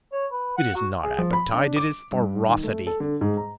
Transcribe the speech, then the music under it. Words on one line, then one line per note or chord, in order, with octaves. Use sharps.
It is not appetite, it is ferocity.
C#5
B4
F#5
F#4
G#4
F3
B5
D4
D6
G2
D#3
A3
A4
D3
G#2
A#5